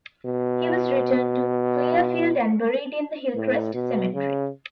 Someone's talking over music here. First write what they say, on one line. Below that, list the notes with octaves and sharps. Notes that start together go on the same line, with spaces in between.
He was returned to Clearfield and buried in the "Hillcrest Cemetery".
B2
A2
B2
C#3